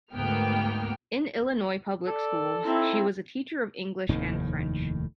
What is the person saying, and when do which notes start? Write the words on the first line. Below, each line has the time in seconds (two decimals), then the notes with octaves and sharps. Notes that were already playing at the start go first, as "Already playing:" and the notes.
In Illinois public schools, she was a teacher of English and French.
0.14 D2 G#2 A#3 B3 G5 F6
2.07 A4 D5
2.64 C4 D#4 E4
4.09 F1 D#2 A2 D#3